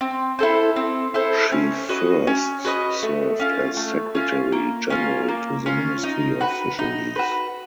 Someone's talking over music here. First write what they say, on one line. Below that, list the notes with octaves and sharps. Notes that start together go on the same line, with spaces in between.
She first served as Secretary General to the Ministry of Fisheries.
C4
E4 A4 C5
C4
E4 A4 C5
C#4
F#4 B4 D#5
C#4
F#4 B4 D#5
A3
C#4 F4
A3
C#4 F4
A#3
C#4 F4
A#3
C#4 F4
D#4
F#4 B4
D#4
F#4 B4